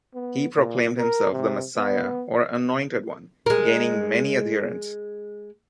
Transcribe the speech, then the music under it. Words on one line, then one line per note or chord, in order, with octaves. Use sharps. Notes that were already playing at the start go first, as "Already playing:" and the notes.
He proclaimed himself the Messiah or "anointed one," gaining many adherents.
B3
A#2
A#4
C3
B3
G#3 A#4